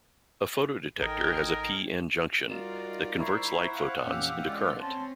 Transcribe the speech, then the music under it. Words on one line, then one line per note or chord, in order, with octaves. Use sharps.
A photo detector has a p-n junction that converts light photons into current.
A1 D#4 A4 A#4 G5 G#5
G3 D#4 F4 F#4 A#4 D5
E4 C5 A#5 C#6
F5 F#5
F2 A#2 E3 C#4 G4 E6
G#3 C#4 F4 D5
C4 C#4 A5 C6